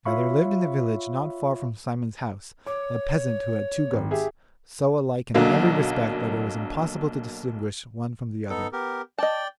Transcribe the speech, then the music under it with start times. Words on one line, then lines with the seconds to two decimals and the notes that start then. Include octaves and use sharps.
Now there lived in the village not far from Simon's house, a peasant who had two goats, so alike in every respect that it was impossible to distinguish one from the other.
0.05 F4 C#5 E5 F5 B5 C#6
2.67 C#5 D6
3.93 G#1
4.11 G4 G#4 E5
5.34 B1 D3 F#3 A#3
8.50 B3 D#4 A4
8.73 B3 G4 A#4
9.19 D5 D#5 G5 A5